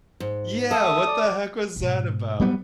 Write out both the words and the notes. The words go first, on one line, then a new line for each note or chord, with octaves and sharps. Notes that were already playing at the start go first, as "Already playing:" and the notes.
Yeah! What the heck was that about?
G#2
A3 A4 E5 D#6
D5
G#2 B2
F#3 G3 B3